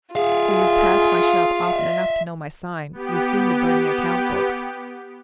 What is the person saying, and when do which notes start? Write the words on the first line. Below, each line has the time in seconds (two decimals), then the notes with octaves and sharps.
For you've passed my shop often enough to know my sign: you've seen the burning account-books.
0.16 F4 G#4 E5 F5
2.93 B3 G4